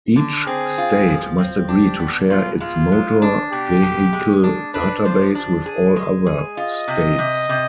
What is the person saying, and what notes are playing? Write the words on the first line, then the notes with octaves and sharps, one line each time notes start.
Each state must agree to share its motor vehicle database with all other states.
D3
C4 G#4
F4
F3
C4
D4 G4
B3
B2 F4
G#3 F4
G#3
D4
B2 G4
B2
G#3
D4
D4 B4
F3 C5
D4
G#4
G#3
G#4
F4 D#5
C3
C3
C3